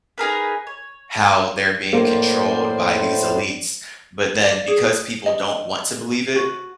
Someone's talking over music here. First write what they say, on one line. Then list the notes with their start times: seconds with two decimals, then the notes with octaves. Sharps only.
how they're being controlled by these elites, but then because people don't want to believe it,
0.18 D#4 G#4 A#4 B4
0.67 C#5
1.93 A2 A#3 C5 D5
4.44 D5
4.67 G#4
5.26 D#5
6.36 F#4